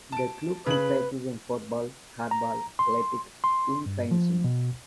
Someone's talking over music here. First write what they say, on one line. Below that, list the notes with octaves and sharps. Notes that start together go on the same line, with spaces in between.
The club competes in football, handball, athletics, and fencing.
A5 D7
C#3 B4 F#7
A#5
C6
C6
G2
F3
B2